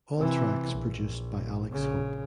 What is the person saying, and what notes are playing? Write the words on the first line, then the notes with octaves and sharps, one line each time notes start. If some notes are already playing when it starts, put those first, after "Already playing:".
All tracks produced by Alex Hope.
C3 E3
A#1
A#1 C#3